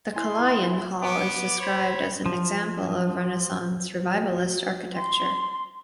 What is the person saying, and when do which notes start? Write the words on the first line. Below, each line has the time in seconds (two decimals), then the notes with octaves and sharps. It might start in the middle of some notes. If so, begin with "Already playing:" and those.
The Kalayaan Hall is described as an example of Renaissance–Revivalist architecture.
0.16 E4 G#5 C6
1.02 B3 D6
1.60 C5 C#5 B5
2.26 F3
3.97 F#3
4.94 C6